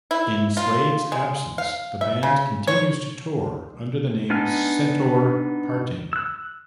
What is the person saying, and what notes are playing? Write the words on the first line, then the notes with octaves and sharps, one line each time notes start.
In Slade's absence, the band continues to tour under the name Centaur Parting.
E4
F4
G#3
F5
E5
C#3
C#5
B3 D4 D#4 G#5 F6
E6 F#6